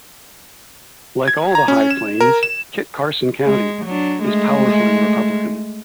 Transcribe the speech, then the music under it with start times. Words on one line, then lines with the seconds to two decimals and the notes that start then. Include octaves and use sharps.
Like all the High Plains, Kit Carson County is powerfully Republican.
1.28 G#6
1.55 A#5
1.68 C#4
1.91 E7
2.20 A#4
2.43 E7
3.45 G#3
3.85 F#3 D4
4.23 G#3 A3